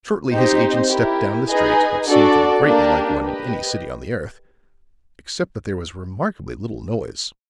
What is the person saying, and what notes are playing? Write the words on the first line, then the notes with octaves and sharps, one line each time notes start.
Shortly his agent stepped down the street, which seemed to be greatly like one in any city on the earth, except that there was remarkably little noise.
C4 D#4 G4 C5
E4 G4 A#4
D#4 G#4 B4 D#5 G#5
D4 F#4 A4 D5
A#3 D4 G4
G4 B4 D#5